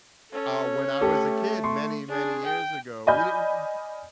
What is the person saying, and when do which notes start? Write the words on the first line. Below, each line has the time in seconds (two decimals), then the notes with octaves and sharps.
Uh, when I was a kid many, many years ago, we didn't
0.33 C#4 A4
1.01 A3 G4 A4
1.64 C6 C#6
2.09 D4 G#4
2.44 G5
3.07 D5 D#5 G#5 B5 F6 G6